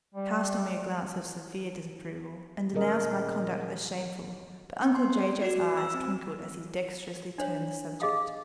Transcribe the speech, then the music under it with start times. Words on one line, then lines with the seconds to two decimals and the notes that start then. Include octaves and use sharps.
She cast on me a glance of severe disapproval, and denounced my conduct as shameful; but uncle Jay-Jay's eyes twinkled as he dexterously turned the subject.
0.15 G3
2.73 A#2 D#3 C#4 G#4 A#4 D#5
4.82 B3
4.95 C6
5.17 D5
5.42 F#4
5.77 E6
5.95 C4
7.38 D4 C5 C#5
8.00 G#4 D#5 F5 G#5 D#6